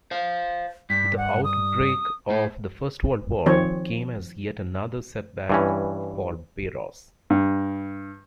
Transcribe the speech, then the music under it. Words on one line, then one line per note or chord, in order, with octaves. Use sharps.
The outbreak of the First World War came as yet another setback for Bayros.
C5 F5
G2 B6
F#5
D#6
A2
D#3 F3 C4 C#5
G2 E3 C#4
G2